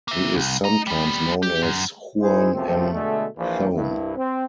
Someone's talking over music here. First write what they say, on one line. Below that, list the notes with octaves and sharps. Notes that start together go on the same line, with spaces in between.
He is sometimes known as "Juan M. Thome".
A#3 E5
C2
D#5 A#5
G3 B3
G4
F#2
D#4 E4 G#4 C5
C#2 F#2 C3 F3 A3 C4
B2 D3 G#3 A3
A#1 E3 F3
C2 G2 E4
C4